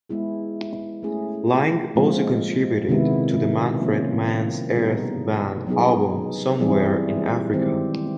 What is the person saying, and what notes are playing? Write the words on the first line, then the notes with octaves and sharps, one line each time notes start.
Laing also contributed to the Manfred Mann's Earth Band album "Somewhere in Afrika".
G#3 B3 E4 G#4
A3 C#4 E4 G#4
A#2 F3 G#3 C4 F4
C3 D#3 G#3 B3 E4
F3 A#3 C#4 F4
B2 G3 B3 D#4 G#4
F#3 B3 D#4 G#4
E3 G3 C4 E4 G#4
D#3 G#3 C4 E4 G4